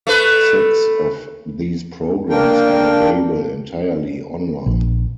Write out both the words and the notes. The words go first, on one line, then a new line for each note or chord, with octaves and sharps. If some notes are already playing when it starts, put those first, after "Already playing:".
Six of these programs are available entirely online.
A3 B4
A#3 D4 A#4 G5
A#1